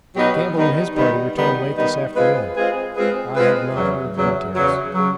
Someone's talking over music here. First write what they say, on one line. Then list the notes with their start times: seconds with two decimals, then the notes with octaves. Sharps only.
Campbell and his party returned late this afternoon--I have not heard details.
0.16 B2 F#3 B3 D#4 G4
0.56 D#3 G3 B3 D#4
0.96 D#3 G3 B3 D#4
1.36 D#3 G3 B3 D#4
1.76 D#3 G3 B3 D#4
2.16 G#3 C4 F4 G#4 B4
2.56 G#3 C4 F4 G#4 B4
2.96 G#3 C4 F4 G#4 B4
3.35 G#3 C4 F4 G#4 B4
3.75 E2 C#3 F#3
4.15 E2 C#3 F#3
4.55 E2 C#3 F#3
4.95 C#3 F#3